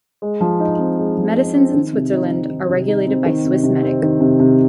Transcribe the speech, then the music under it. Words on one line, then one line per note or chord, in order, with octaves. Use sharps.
Medicines in Switzerland are regulated by Swissmedic.
G#3
F3
D#4
C4
G#3
F3
D#4
C4
D#3
C3
D#4
C4
D#3
C3
D#4
C4
D#3
C3
C3
C4
D#3
C3
C3